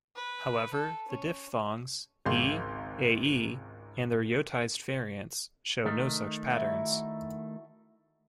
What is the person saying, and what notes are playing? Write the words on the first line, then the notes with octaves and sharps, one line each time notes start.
However, the diphthongs "e, ae" and their yotized variants show no such patterns.
B4
A4
C#4
G#1 C#2 F5 C6
D#3 A3 D#4
E4 F#4